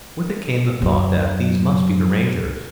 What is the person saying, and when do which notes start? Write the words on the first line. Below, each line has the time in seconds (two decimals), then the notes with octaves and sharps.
With it came the thought that these must be the Rangers.
0.81 F#2 F#3